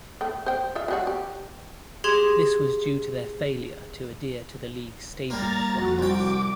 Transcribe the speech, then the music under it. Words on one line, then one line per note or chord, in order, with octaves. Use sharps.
This was due to their failure to adhere to the leagues Stadium requirements.
A3 G5
C5 G5
F4 E5
F#3 G3 F#4
G4
G4 G#4 C6 G#6
G3 A#3 A#5 A6
F2 F#4
C2 G5 D6